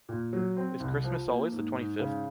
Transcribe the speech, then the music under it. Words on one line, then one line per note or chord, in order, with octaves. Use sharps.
Is Christmas always the twenty fifth?
A#2
F#3
C4
C2
F3
A#3
G#2
G#2
C#3